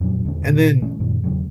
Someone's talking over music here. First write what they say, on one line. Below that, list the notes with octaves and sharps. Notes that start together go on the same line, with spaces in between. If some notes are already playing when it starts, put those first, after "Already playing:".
And then
F2 A#2 F#3 D4
E2 D3 G#3 D4
A#2 C#3
E3 G#3 A3 C#4
F#2 A#2 D#3
E2 C#3 F#3 G#3